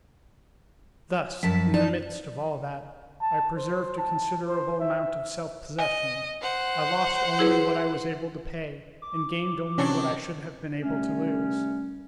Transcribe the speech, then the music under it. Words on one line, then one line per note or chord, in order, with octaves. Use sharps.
Thus, in the midst of all that, I preserved a considerable amount of self-possession; I lost only what I was able to pay, and gained only what I should have been able to lose.
F#2 F3 A5 B6
D#4 D5 A5
A5
C5
A5
C5
E5
D#5 G#5
C5 F#5
E4 G#4 B4
D6
C3 F#3 C#4 D4 C#5
C3 G3 A3 C#4